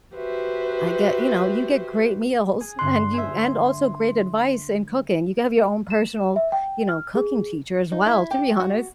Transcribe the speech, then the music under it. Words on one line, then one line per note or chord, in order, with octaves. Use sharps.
I get you know, you get great meals, and you and also great advice in cooking. You can have your own personal, you know, cooking teacher as well, to be honest.
F#4 G4 B4 C5 E5
G#4
G2 D3 C6 F#6
G#4 C5 E5
E7
E5
G5
F6
G#4
D#4
E4
G4
F#4